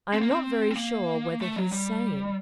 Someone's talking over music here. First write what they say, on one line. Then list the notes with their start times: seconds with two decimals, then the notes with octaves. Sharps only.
"I am not very sure whether he's sane."
0.14 C4
0.22 A#3
0.31 C4
0.71 C4
0.77 A#3
1.41 A3
1.56 F#3
1.72 G3